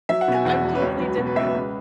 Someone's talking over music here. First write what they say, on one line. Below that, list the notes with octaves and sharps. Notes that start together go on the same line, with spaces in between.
I'm totally different.
F#3 E5
F#5
B2
G#5
E2 F#5
E1
B4
C#2 C#5
F#3 B4
B2
B4
C#2 E5
B4
C#2